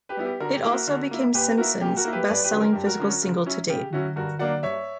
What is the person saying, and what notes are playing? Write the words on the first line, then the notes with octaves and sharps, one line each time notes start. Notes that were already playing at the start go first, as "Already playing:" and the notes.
It also became Simpson's best-selling physical single to date.
G4 B4
G3 B3 E4
G4
D3 F#4 A#4
G4
A#3 E4
F#4 A#4
D3
A#3 E4
A#2 G4 B4
A#3 E4 F#4 A#4
A#2 G4
F#4 A#4
A#3 E4
G4 B4
G2 B4 D5
G4 B4
D3 F#3 C#4
A#4
G2 G4
F#4 A#4
D3 F#3 C#4
C#3
F#3 C#4 E4
C#3 G4
F#3 C#4 E4 F#4
G2 F#4 A#4
F#3 A#3 D4 D5 F#5
G2 C#5 E5